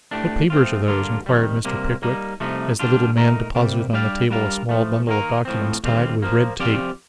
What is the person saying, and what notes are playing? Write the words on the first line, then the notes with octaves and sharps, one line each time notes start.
'What papers are those?' inquired Mr. Pickwick, as the little man deposited on the table a small bundle of documents tied with red tape.
A2 A3 D4 G4
F3 A3 C4 F4
D3 G3 A#3 D4 F4
F2 D#3 G3
C3 G3 A#3
G3 A#3 D#4
C2 C3 F3 A3 D#4
D3 G3 D4 F4
A#2 A3 D#4 A#4
C3 G3 A#3
G3 D4 G4 D5 F5
G3 D4 F4 A#4 F5
A2 F3 A3
D#3 A#3 D#4 A#4
A2 F3 C4
D#2 D3 G3 C4 F4
A#2 F3 A#3
F3 C4 G4 D5 F5